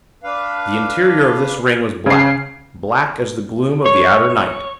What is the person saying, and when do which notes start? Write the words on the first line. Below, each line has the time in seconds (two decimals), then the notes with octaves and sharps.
The interior of this ring was black, black as the gloom of the outer night.
0.24 D4 B4 F5
2.06 C#3 C7
3.86 C#5